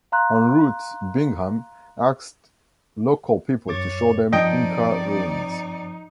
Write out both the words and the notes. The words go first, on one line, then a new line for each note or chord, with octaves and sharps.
En route Bingham asked local people to show them Inca ruins.
F5 A#5 C6 F#6
F#2 C#5 D6 A6
G2 F3 C4 D#4 D5 D#5 G5 A5